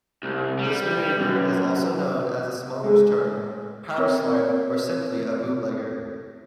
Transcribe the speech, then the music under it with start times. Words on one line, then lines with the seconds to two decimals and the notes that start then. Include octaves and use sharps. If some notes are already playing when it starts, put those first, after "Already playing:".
This maneuver is also known as a smuggler's turn, powerslide, or simply a bootlegger.
0.23 C2
0.59 G3
1.21 F#2
2.84 G#3
3.98 C4 A#4 C#5